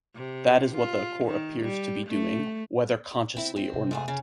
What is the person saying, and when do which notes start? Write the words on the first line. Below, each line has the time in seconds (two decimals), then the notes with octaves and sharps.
That is what the Court appears to be doing, whether consciously or not.
0.15 C3
0.77 F4
1.25 D#3
1.62 G3
2.07 A3
3.36 C#3 C4 E4
3.56 C4
3.71 F2 C3
3.91 G#2 A3 G#4
4.08 C#3